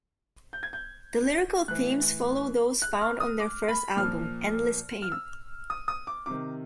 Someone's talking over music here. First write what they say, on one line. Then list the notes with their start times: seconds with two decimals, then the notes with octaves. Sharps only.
The lyrical themes follow those found on their first album "Endless Pain".
0.53 G6
0.63 G#6
0.73 G6
1.68 A2 E3 F#6
2.82 F#6
3.01 F6
3.20 D#6
3.40 D6
3.68 B5
3.97 A#2 F3 F6
5.02 F6
5.12 E6
5.70 D#6
5.88 D#6
6.07 D6
6.26 C3 D#3 D6